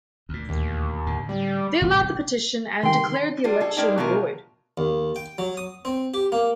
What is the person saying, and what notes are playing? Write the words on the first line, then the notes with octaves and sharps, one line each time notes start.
They allowed the petition and declared the election void.
D2 A#2
D#2
A2 D3
G3
A1 C3 E3 G3
C2 D#3 G5 C6
G3 D4 F4
G#4 A4
G3 G#3 A#3 D4 D#4 G4
B2 F#3 A3 F4 G4 A#4
D#2
G5
F#3
D#6
C4
G4
A#3